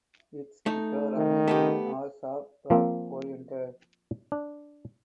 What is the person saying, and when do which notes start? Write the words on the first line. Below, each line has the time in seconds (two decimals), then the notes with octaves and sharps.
Its guitar arrangements are soft rock oriented.
0.66 A3 D#4
1.17 D#3
1.48 A3 B3 G4
2.70 F3 A#3 C4
4.32 D4